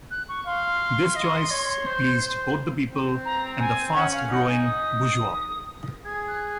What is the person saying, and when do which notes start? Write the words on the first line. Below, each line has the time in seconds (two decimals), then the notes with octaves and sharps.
This choice pleased both the people and the fast-growing bourgeoisie.
0.11 F#6
0.29 C#6
0.46 F5 C6
1.16 D#5
1.51 C#5
1.86 C5
2.21 C5
2.91 C4
3.25 A#5
3.60 G#5
3.95 C#4 F#5
4.13 F5
4.30 D#4 F#5
4.48 G#5
4.65 D#6
6.05 G#4 G#6
6.28 F#6